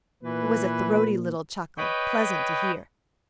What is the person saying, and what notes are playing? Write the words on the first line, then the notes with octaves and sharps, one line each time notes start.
It was a throaty little chuckle, pleasant to hear.
A#2 E3 B4
B4 C#5 D#5 G5 B5